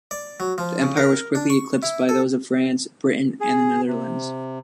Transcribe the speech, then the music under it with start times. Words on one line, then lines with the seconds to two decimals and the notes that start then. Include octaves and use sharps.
The empire was quickly eclipsed by those of France, Britain and the Netherlands.
0.11 D5
0.40 F#3
0.58 F3
0.82 C#3
0.97 A#4
1.35 D4
1.50 C#6
1.83 E4
2.09 A4
3.41 G#4
3.87 C3